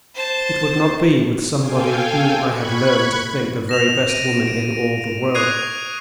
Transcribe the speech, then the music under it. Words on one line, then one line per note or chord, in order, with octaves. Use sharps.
It would not be with somebody whom I had learned to think the very best woman in all the world.
C5 A5
A4 F5 G5 G#5
B5 C#6 F#6 G#6
A#6 E7 F7
D7 D#7
D7
C#6 D#6 F#6 G#6 C7 D#7